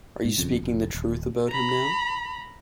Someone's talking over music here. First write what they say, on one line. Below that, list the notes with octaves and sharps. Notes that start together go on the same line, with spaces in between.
Are you speaking the truth about him now?
G#2
D#1 F2 C#3
F1
D#1
A#5 B5